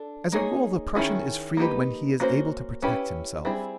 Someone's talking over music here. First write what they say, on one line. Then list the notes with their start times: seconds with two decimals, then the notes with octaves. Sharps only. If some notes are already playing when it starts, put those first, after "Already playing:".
As a rule, the prushun is freed when he is able to protect himself.
Already playing: D4 A4
0.32 A#3 D#4 G#4 C#5
0.95 D#3 G#3 C#4 E4 G#4
1.57 A#3 D#4 G4 B4
2.20 A#3 C#4 F#4 A4 C5
2.82 C#4 E4 G4 B4
3.45 G3 C4 E4 G#4